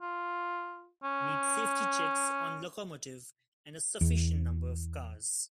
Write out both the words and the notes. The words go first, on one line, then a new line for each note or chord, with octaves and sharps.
Need safety checks on locomotive and a sufficient number of cars.
F4
C#4
E2